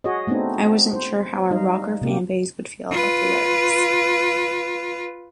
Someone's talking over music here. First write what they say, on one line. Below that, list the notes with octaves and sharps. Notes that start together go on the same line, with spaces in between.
I wasn't sure how our rocker fanbase would feel about the lyrics.
F#4 G#4 C#5 D#5
A3 B3 C4 D4 D#4
C5
G3 D#4 D#5 F5
C3 A#3 G4
F4 B4